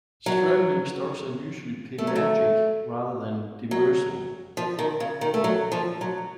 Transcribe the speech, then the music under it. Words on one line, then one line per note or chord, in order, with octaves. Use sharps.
Straddling stocks are usually pelagic, rather than demersal.
F#3
A3
F#3
A3
F#3
F3
D#3
C#3
D#3
A3
F#3
F3
F#3